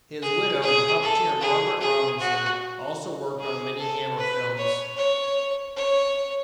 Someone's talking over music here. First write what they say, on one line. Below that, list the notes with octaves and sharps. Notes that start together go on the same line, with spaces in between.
His widow, the puppeteer Margaret Robinson, also worked on many Hammer films.
G#4
G#4
A4
G#4
G#4
F#4
G#4
A4
B4
C#5
C#5
C#5